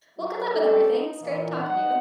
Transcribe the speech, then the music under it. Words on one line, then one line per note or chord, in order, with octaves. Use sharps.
well, good luck with everything. It's great talking to you.
F#3
A#3 C4 C#4 G4 A4
D#4
A#2 E3
D#4 F#5